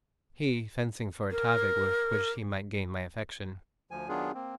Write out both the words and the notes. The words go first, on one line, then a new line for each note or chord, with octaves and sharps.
He fencing for a topic with which he might gain my affection.
A#4
D2 F3 G#5
D#3 F#3 B3 D4 F4 G#4
A#3 C4